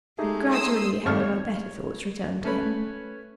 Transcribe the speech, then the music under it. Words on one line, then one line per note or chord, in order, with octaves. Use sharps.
Gradually, however, better thoughts returned to him.
G#3 A3 D#4 G4 G#4
C6 D#6 E6
G#1 F2 A3 C#6 F6
C#5
A3 C#4 B4 C#5 B5